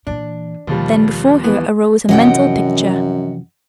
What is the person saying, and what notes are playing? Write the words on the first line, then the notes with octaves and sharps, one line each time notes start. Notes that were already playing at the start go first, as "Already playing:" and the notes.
Then before her arose a mental picture.
A#2 E3 D4
D#2 B2 F3 G3
E3 B3
F#2 C3 E3 F3 D#5 F#5 G5